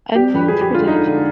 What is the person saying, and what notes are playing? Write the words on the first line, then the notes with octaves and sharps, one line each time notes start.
a new tradition.
G3 G4
F2 B4
F2 G#4
G4
D3 F4
D3 D#4
D3